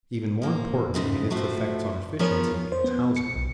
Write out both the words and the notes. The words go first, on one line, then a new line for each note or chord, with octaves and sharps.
Even more important in its effects on efficiency is housing.
F3 A#3
G#2 C#3 G#3 A3
A2 F3 A3 F#4
F3 B3 F4 G#4 A#4 C#5
C5
B3
C#7
B1